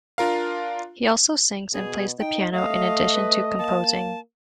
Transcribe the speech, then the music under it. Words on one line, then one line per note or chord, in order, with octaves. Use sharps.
He also sings and plays the piano in addition to composing.
D4 F4 A#4 F5
B2 G#4
D#4 G5
A3 D#5 F5
B4
A#3 A5